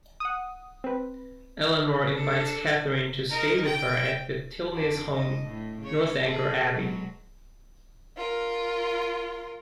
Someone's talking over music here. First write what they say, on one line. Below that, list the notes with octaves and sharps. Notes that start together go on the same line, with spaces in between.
Eleanor invites Catherine to stay with her at the Tilneys' home, Northanger Abbey.
F#5 D#6
C4 B4
D4 A4
D#4 A#4
G5
F2 D4 F#4
D#5
A2
C#3 C#5
G#4 A4
B2 F#3 G#3
F4 A#4